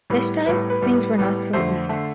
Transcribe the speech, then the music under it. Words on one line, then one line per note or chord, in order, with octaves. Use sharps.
This time things were not so easy.
A2 G3 B3 B4
A2 G3 B3 B4
B4
A2 G3 B3
A2 G3 B3
F2 D3 A3 C5
D3 A3